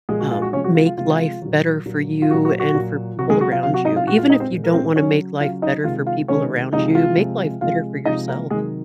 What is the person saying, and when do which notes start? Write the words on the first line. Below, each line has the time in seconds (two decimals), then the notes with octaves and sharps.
um, make life better for you and for people around you? Even if you don't wanna make life better for people around you, make life better for yourself.
0.09 A#2 F3 G#3 G#4
0.20 F#4
0.31 F4
0.42 F#4
0.53 C3 F3 G#3 C#4 C#5
0.64 F#4
0.75 F4
0.86 F4
0.97 C3 F3 G#3 F4
1.42 A#2 F#3
1.86 A#2 F#3
2.22 F4
2.30 F#3 F#4
2.33 A#2
2.45 F#4
2.60 F#4
2.74 A#2 F#3
3.19 C3 F#3 F#4
3.30 G#3 G#4
3.41 F#4
3.52 F4 F5
3.63 C3 F#3 F4 F5
3.74 F#4 F#5
3.85 D#4 D#5
3.96 F4 F5
4.07 A#2 F#4 F#5
4.12 G#3
4.18 F4 F5
4.29 D#4 D#5
4.40 C4 C5
4.52 A#2 G#3
4.64 A#4
4.73 C4 C5
4.96 C#3 F#3 C#4 C#5
5.40 C#3 F4 F5
5.44 F#3
5.62 D#4 D#5
5.84 C3 D#3 G#3 F4 F5
6.07 F4 F5
6.28 C3 D#3 G#3 C#4 C#5
6.73 C3 F3 G#3 D#4 D#5
6.95 F4 F5
7.17 C3 F3 G#3
7.61 C3 F3 G#3 F4 F5
8.05 C3 F3 G#3 D#4 D#5
8.28 A#3 A#4
8.50 C3 D#3 F#3 G#3 G#4